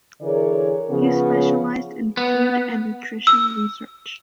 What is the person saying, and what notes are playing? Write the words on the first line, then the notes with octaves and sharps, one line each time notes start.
He specialised in food and nutrition research.
D3 E3 G#4 A#4 C#5 D5
C#3 F3 B3
B3
E6